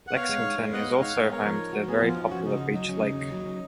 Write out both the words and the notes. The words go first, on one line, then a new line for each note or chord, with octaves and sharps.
Lexington is also home to the very popular Beech Lake.
F#5
B3 C#5 F5
G#3
D#4
G#3
B3 D#5 F#5
G#3
D#4 C#5 F5
G#3
B3 A#4 C#5
F3
D#4
F#4
B3 G#4
F3
F4
D#4
C#4 F#4
C#3 D#4
D#2
F#3 D#4
C#4
C#3
D#2
F#3
C#4